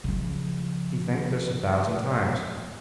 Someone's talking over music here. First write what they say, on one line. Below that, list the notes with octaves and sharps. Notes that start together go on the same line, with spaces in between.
He thanked us a thousand times.
C#3 F3